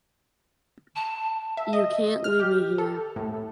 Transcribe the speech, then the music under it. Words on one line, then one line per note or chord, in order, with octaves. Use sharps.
You can't leave me here.
A5
E5
D#5
F6
G4
A4
A2